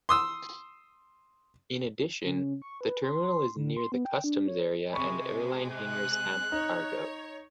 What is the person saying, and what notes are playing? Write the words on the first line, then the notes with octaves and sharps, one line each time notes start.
In addition, the terminal is near the customs area and Airline hangars Tampa Cargo.
C6 D#6 E6
C#3
C#6
B4
C6
D3
C6
B3
G5
D4
C#5
C3 G#3 B5 C#6
F#6
D#4 C#5